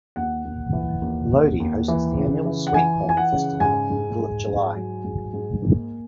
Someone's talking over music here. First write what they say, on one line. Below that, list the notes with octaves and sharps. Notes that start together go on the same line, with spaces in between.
Lodi hosts the annual Sweet Corn Festival in the middle of July.
D#2 F#5
D#2
E3
D#2
D#2
D#2
E3
C#3
E3
F#5
E3 G#5
E3
G#5
F#5
C#3
G#2 G#5
G#2
G#2
G#2
F#3
G#2
G#2
A#3